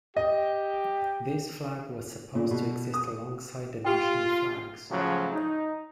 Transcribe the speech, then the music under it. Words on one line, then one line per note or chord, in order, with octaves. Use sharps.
This flag was supposed to exist alongside the national flags.
G4 D#5
A#2
B2
D#6
F4 G4 G5
A2 C#3 F3 F#3
D#4